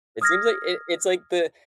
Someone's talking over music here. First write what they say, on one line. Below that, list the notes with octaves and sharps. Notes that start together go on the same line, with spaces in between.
It seems like it it's like the
D#6 F6 G#6 A#6